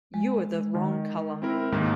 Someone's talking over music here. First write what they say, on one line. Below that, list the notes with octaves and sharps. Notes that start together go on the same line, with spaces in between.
You're the wrong colour.
G#3
D#3
C4 E4 A#4
D#2 G#2 A#3